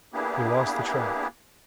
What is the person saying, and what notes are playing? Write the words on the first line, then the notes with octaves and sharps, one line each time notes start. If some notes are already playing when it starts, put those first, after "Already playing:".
We lost the track.
A#3 B3 D4 E4 G4 G#4